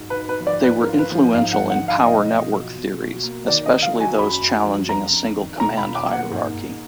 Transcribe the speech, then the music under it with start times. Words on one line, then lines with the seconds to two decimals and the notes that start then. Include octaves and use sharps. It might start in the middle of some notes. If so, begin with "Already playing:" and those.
They were influential in power network theories, especially those challenging a single command hierarchy.
Already playing: G#2 F#3
0.10 B4
0.17 D#4
0.29 B4
0.41 F3
0.47 D5
0.64 G#2 B4
0.81 A#4
0.88 F4
0.99 B4
1.12 F3
1.34 G#2 F5
1.53 F#5
1.58 G#2
1.70 F#5
1.82 F3
1.88 F5
2.06 B2 D#5
2.30 F4
2.53 F#3
2.77 B2
3.01 F#4
3.23 A#3
3.48 D#3 D5
3.66 D#5
3.71 D#4
3.82 F5
3.95 F#3
4.00 G#5
4.18 F#2 B5
4.41 F#2
4.66 F3
4.89 F2 A#5
5.13 D4
5.36 D#3
5.60 B2 A#5
5.78 B5
5.84 F4
5.95 D6
6.07 A#3
6.12 F#5
6.31 G#2
6.55 G#2